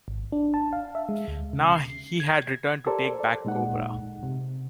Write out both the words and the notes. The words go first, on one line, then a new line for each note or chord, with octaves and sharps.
Now, he had returned to take back Cobra.
G#1
D4
A5
F5
E5
G#3
D2
C#3
C7
G#6
G4 A4 A#4 C5 D5
A4 D5
A#2 G#3 D#4 F#5
C3